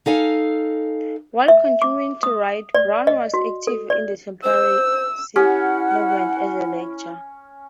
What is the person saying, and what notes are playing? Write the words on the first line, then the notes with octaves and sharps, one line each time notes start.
While continuing to write, Brown was active in the Temperance movement as a lecturer.
D#4 A4 F5 G#5
E5
D6
D#6
D5
D#5
F#4
A4
D5
C5 E6
C#4 E4 G4 F#5